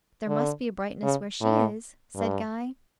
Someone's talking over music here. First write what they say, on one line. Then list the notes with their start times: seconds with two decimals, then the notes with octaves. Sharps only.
'There must be brightness where she is,' said Guy.
0.28 D3
1.03 C#3
1.41 A2
2.15 G2